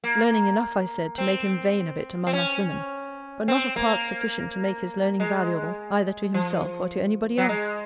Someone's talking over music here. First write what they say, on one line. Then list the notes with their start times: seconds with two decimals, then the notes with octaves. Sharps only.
Learning enough, I said, to make him vain of it among us women: but not of parts sufficient to make his learning valuable either to himself or to any body else.
0.04 A#3
1.18 C4
2.27 C4
2.33 C#4
3.48 C4
3.76 A#3
5.20 G#3
6.34 F3
7.38 F#3
7.49 G#3